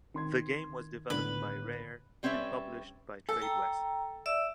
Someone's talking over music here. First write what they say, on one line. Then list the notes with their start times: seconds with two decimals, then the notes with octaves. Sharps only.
The game was developed by Rare and published by Tradewest.
0.14 D#3 C4 C6 G#6
1.10 C#2 A2 D3 B3 B4
2.23 G3 C4 C#4 B4 E5
3.29 A4
3.42 G5 A#5
4.26 D5 E5 E6